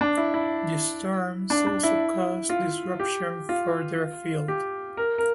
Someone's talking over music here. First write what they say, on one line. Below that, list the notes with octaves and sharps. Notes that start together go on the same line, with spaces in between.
The storms also caused disruption further afield.
D4
E4
E4
D4
D4
E4
F4
G4
F4
G4
A#4
A#4